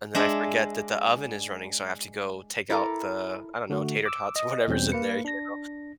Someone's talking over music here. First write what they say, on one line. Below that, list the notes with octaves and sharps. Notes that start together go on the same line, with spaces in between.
and then I forget that the oven is running, so, I have to go take out the, I don't know, tater tots or whatever's in there, you know?
G#3 D4 E5
E4 A4 A#4 D6
D3 A3 F#4
D6 E6
D#5 D#6
E2 B2 G3 C4 C#4 G6
A#3 B4 C#7
D4 A#6